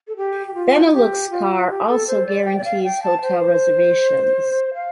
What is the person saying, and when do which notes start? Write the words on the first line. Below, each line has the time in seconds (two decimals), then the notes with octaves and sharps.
Beneluxcar also guarantees hotel reservations.
0.08 A4
0.17 G4
0.47 G4
0.54 F4
0.93 G4
1.30 F4
1.69 G4
1.88 A4
2.07 C5
2.27 D5
2.45 G5
2.58 D5
2.64 F5
2.83 G5
3.03 A5
3.22 C5
4.74 F5